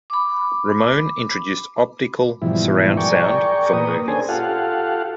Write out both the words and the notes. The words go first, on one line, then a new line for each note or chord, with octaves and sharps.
Ramone introduced optical surround sound for movies.
B5 D6
G#2 B2 E3 F3 G3 E4
G#4 A#4 D5 G5 C#6
A#2 A#4 B4 D#6
C#4 D4 G#4 A4 C5 G#5
F4 G4 A4 F5 F#5